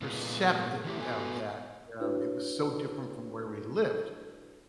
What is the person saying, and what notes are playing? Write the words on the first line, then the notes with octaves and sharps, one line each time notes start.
perceptive of that, um, it was so different from where we lived,
A#2 G#3 B3 F4
E3 F3 A3 E4 G4
B3 F#4 A4 B4 F5 G#5
D4 E4 F#4 B4 C#5